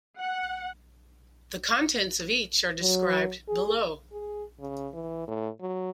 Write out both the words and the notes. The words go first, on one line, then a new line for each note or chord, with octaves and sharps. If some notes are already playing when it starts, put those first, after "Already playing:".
The contents of each are described below.
F#5
F#3
G#4
G#4
C#3
E3
A2
F#3